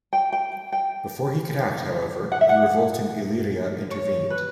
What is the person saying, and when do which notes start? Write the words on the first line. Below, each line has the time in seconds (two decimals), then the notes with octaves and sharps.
Before he could act, however, the revolt in Illyria intervened.
0.13 G5
0.32 G5
0.72 G5
2.32 F#5
2.41 E5
2.49 F#5
3.91 C#5
4.30 B4